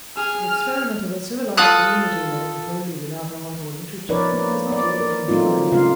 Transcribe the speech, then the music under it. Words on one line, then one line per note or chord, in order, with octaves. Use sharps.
The experiment of a civilized community living wholly without art or literature has not yet been tried.
G#4 F6
F4 A4 D#6 F#6
F3 D#4 A#4 B4 C#5 D5
A#3
D5
A#4
F#3 A3 C4 D#4 F4
C#3 A3 F4 F5